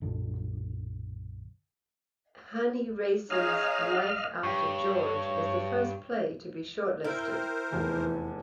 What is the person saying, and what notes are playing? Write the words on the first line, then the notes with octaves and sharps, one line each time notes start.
Hannie Rayson's, "Life after George", is the first play to be shortlisted.
B1 F#2 A#2 D3
D#4 G#4 C#5 D#5 F5 F6
G2 C#5 G5 C#6
E4 A#4 C5 G5
F1 E2 E3 G#5